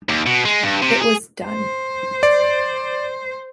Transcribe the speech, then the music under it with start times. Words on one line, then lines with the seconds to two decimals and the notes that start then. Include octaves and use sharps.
It was done.
0.09 D#2
0.26 B2
0.45 G#3
0.63 G2
0.82 C3
1.01 G#4
1.45 C5
2.23 D5